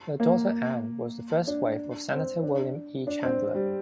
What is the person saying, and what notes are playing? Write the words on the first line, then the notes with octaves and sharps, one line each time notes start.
Their daughter Ann was the first wife of Senator William E. Chandler.
A#3
D4
C4
D4
D4
C4
G3